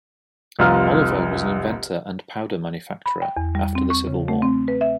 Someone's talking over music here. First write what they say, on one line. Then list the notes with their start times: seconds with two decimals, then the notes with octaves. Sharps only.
Oliver was an inventor and powder manufacturer after the Civil War.
0.59 F1 C2 F4 A#5 F6
3.06 B5
3.22 G5
3.37 E2
3.55 G3
3.75 C4
3.90 C#6
4.07 C#3
4.28 A3
4.42 C4
4.68 B4
4.81 E5